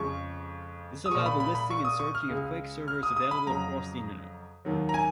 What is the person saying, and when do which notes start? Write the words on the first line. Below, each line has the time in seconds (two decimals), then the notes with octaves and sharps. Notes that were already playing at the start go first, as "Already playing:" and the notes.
This allowed the listing and searching of Quake servers available across the Internet.
Already playing: F2 C#3 G#3 C#6
1.06 D#6
1.11 A#2 G#3 C#6
1.26 B5
1.40 B5
1.55 B5
1.70 C#6
1.85 D#6
2.00 C#6
2.15 F6
2.29 C#2 C#3 G#3
2.88 F6
3.03 D#6
3.16 D#6
3.31 B5
3.46 F2 C#3 F#3 A#5
4.65 D#2 D#3 F#3
4.89 A#5
4.94 G#5